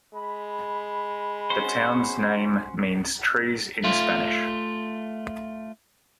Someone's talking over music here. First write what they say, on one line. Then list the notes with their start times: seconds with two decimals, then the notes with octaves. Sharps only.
The town's name means "trees" in Spanish.
0.13 G#3 B5
1.50 C#4 F#4 C5
3.84 A3 F4